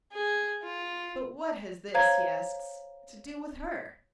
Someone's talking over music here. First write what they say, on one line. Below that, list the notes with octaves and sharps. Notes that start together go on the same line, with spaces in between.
"But what has this," he asks, "to do with her?"
G#4
F4
C5 C#5 F5 A#5 G#6